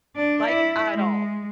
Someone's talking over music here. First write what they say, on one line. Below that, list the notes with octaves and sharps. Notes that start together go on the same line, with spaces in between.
Like, at all.
D4 D5
E4
G#3